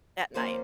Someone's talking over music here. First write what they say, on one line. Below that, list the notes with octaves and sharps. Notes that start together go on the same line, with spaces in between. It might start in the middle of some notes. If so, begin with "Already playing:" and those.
at night.
F2 D#3 A#3 C#4 F4 C5